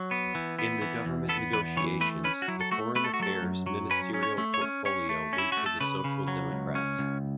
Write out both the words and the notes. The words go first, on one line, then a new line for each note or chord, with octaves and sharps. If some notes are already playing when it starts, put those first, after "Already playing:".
In the government negotiations the Foreign Affairs ministerial portfolio went to the Social Democrats.
Already playing: F#3
B3
E3
B3
E3
E2
B3 A4
E2 B4
E3 C#5
A3 B4
C#4 B4
F#4
F#3 E4
A4
A3 F#4
A3 B4
A4
F#4
F#3 A4
F#2
F#3
C#4 B4
C#4
C#5
A3
C#5
C#4
C#4 C#5
A3
C#4
E4
A3 F#4
A4
C#3 B4
C#3
F#3
C#2
C#4
C#2